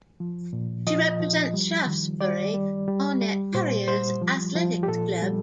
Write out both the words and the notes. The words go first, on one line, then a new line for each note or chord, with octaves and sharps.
She represents Shaftesbury Barnet Harriers athletics club.
F3
A#2
F3 D#5
F3
G3
D#3
G3 D5
G3
G3
G3
A#2 C5
G3 C5
F3
F3
G4
A#2 A4
G3